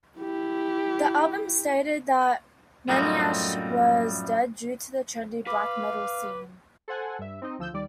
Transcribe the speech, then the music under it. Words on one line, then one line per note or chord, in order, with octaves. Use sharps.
The album stated that Meyhna'ch was dead due to the trendy black metal scene.
E4 G4
F#2 A2 F3 G3 C4 D#4
B4 F5 D6
A4 C5 F#5 G#5
G2 E5
C4 D#4 D#5
D2 F3 E6 G6
D#2 G3 D5